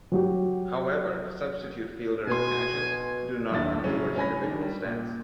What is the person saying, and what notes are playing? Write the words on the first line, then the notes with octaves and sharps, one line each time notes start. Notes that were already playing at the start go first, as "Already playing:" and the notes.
However, substitute fielders' catches do not count towards individual stats.
F#3 F#4 G4
B2 B3 G#5 C6
D#1 B1 F#2 D4 E4 A6
A2 C#3 F#3 C#4
C#4 C#5 G#5 B5 A#6
D#3 D4
G3
A#2